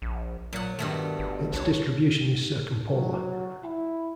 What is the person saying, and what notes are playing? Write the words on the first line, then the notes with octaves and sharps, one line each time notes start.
Its distribution is circumpolar.
A#1
A#2 F#3 F#5
G2 B2 D#3 A3
G1
C#2 D4 C#5
F#3
E4